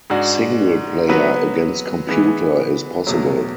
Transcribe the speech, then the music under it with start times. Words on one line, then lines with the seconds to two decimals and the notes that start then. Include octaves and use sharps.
Single player against computer is possible.
0.10 G#2 G#3 D4 F#4
1.09 F#3 B3 F#4 B4
2.09 E3 G#3 B3
3.07 E2 B2 F#3 A3